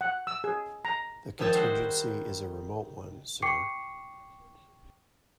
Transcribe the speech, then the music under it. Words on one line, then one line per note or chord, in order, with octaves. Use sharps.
The contingency is a remote one, sir.
F#5
E6
G#4
A#5
D#3 F3 C#5 E5 G5 A5
G3 G#3 F#4 C5
G5 C#6 D6 C7 C#7